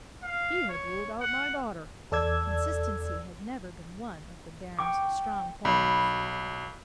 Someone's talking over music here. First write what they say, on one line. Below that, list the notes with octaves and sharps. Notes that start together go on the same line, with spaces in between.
"He had ruled out my daughter." Consistency had never been one of the Baron's strong points.
F5
C#5
F#5
E2 A4 D5 E6 G#6
G5 C#6 D6
B1 B5